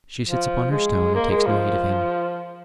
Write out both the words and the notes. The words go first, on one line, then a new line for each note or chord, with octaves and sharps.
She sits upon her stone, and takes no heed of him.
F3
G#3
A#3
G#3
F3